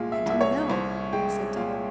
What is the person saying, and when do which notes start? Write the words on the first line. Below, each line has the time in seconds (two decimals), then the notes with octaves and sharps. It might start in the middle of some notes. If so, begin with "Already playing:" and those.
"I didn't know," I said to him.
Already playing: C2 A#2 G#3 F5
0.12 E5
0.26 C2 E5
0.41 C#5
0.70 C2 C5
1.13 G#3 G5
1.56 A#2 F5